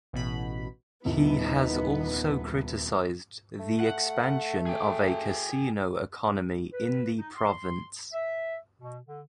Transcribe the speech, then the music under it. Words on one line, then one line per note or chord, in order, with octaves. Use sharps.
He has also criticized the expansion of a casino economy in the province.
A1 B2 B5
D#1 C2 B3 D#4 B4
A3
F#5
G#4 G5
B4
D#4
C6
E5
B2
D3